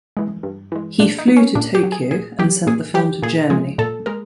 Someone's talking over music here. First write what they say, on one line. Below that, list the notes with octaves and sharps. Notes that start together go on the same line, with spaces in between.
He flew to Tokyo and sent the film to Germany.
E3 G#3
G2
E3 G#3
A#2 D4
D#4
F#3
C#4
A#2 D4
G4
F#3
G#4
A#2 G#4
F#3 G4
A#2 G#4
F#3 G4
A#2 G#4
F3 G#3 G#4
A#2 A4
G#3 A#4